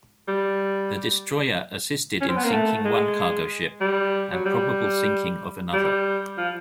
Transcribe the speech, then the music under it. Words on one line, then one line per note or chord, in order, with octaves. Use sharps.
The destroyer assisted in sinking one cargo ship and probable sinking of another.
G3
C#4
C4
B3
A#3
A3
G#3
G3
F#3
G3
G3
F3